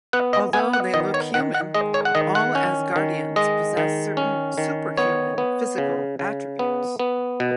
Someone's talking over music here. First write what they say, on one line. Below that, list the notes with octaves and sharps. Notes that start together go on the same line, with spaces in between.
Although they look human, all Asgardians possess certain superhuman physical attributes.
B3 F#5
D#5
B3 G#5
F#5
D#3 D#5
C#5
D#3 F#5
F#5
G#3 D#5
C#5
F#5
D#3 D#5
F#5
C#4
D#3
G#3 D#5
D#3
C#4
D#3
B3 C#5
B3
C#3
C#3
B3
B3
B2